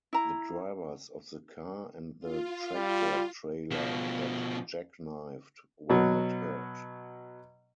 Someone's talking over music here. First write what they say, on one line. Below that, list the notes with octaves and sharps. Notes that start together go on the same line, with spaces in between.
The drivers of the car and the tractor-trailer that jackknifed were not hurt.
E4 A#5
F4
G3
B2 F3
B2 F#3